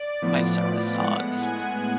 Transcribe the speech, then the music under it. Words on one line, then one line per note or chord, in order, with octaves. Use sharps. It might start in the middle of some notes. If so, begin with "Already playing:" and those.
my service dogs
Already playing: D5
A2 F3 B3
D5
A2 G#3 B3 F#5
G#5